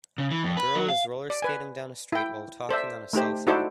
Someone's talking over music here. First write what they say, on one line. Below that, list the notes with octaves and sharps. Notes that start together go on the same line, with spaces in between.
A girl is rollerskating down a street while talking on a cellphone.
C#3
E3
F2
B4
F#3
F5
D5
B4 G#5
E4 G5
A4 C5 D5 E5
A3 D#4 G4 C5
D#4 E4 F#4 A4 C5 D5